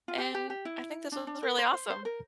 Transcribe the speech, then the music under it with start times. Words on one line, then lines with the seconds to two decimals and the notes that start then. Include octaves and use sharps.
and I think this was really awesome.
0.08 F4
0.18 G4
0.35 G4
0.50 G4
0.65 E4
1.12 D4
1.27 D4
1.43 A#4
1.58 C5
1.74 C5
1.90 C5
2.05 A#4